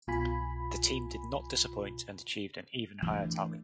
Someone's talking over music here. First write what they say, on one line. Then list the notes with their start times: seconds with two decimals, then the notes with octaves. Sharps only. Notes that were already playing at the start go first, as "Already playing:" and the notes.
The team did not disappoint and achieved an even higher tally.
0.07 C2 B2 F4 G#5 B5
3.02 E3 A3 D4